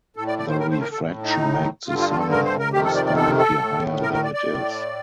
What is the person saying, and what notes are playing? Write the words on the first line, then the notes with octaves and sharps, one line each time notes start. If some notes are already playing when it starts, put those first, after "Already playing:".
The refraction makes the sun or a star appear higher than it is.
A2 A4
D5
D5
C5
A#4
C5
A#4
A4
A2
D#4
G2 D3 F4
F4
F4
A4
A#4
C5
A#4
F2 C3 D#3 G4
A4
D5
D5
A4
A4
A2
A#4
A#4
D5
D5
A2